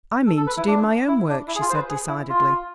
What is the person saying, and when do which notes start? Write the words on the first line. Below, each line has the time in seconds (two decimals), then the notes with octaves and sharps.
"I mean to do my own work," she said decidedly.
0.27 A4
0.37 A4
0.47 B4
0.57 E4
0.67 D4
1.08 E4
1.29 D4
1.47 E4
1.56 G#4
1.61 F4
1.70 C5
1.75 B4
1.89 G#4
2.08 E4
2.29 F4